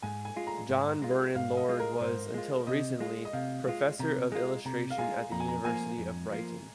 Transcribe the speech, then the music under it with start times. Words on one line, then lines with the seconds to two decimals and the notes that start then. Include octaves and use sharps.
John Vernon Lord was, until recently, Professor of Illustration at the University of Brighton.
0.02 G#2 G#5
0.25 G#5
0.36 G#3 F4
0.47 A#5
0.69 G#2
1.02 G#3 F4
1.35 G#2 F5
1.57 D#5
1.69 G#3 F4
1.80 A#4
2.01 G#2 C5
2.34 G#3 F4
2.67 C3 D#5
3.00 G#3 F4
3.25 D#5
3.33 C3 F5
3.67 G#3 F4
3.99 C3 A#5
4.32 G#3 F4
4.65 C3 A#5
4.90 F5
4.98 G#3 F4 G#5
5.32 F2 A#5
5.40 G#5
5.48 A#5
5.65 F3 A#3 F4 G#5
5.98 F2
6.30 F3 A#3 F4